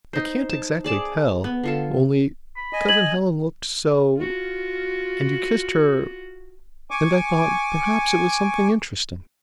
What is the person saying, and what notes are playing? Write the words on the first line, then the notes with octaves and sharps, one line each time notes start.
"I can't exactly tell--only Cousin Helen looked so;--and you kissed her;--and I thought perhaps it was something interesting."
D#4 C5
A5
G#4 D5 A5
B3
D3 F4 A4
B5
D#5 G#5
G#6 F#7
F4 F#4
G#5 C#6 D6